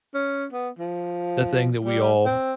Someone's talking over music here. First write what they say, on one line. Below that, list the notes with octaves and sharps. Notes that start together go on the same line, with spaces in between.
the thing that we all
C#4
B3
F3
G3
C4